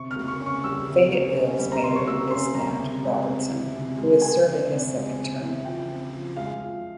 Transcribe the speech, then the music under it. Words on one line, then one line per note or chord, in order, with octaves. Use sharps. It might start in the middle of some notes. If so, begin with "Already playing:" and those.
Fayetteville's mayor is Nat Robertson, who is serving his second term.
Already playing: C3 C#6
F6
A#3
C#6
C#4
C#6
G3 E6
C3
A#3
C#4
G3
A#5
C3 C6
C#6
A#3 E6
C#4 C6
G3 A#5
C3
G#3
C4
E3
C3
G#3
C4 G#5
E3
C3
G#3
C4
E3
F3 G5
C4
F3
G#3 F5
F3